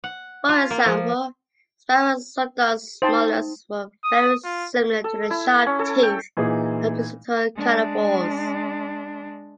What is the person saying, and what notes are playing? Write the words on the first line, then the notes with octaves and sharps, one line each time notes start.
For example, sparassodonts' molars were very similar to the sharp teeth of placental carnivores.
F#5
F4
A#3
F3
D#4 C5 G5 A5
D#6
F4
A4
E4
C#4
A4
G5
A#2 E3 D#4 G#4
G#3 D4